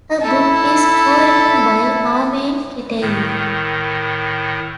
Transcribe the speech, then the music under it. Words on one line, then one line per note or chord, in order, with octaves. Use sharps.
The book is co-written by Armen Keteyian.
E4 A4
A2 D#3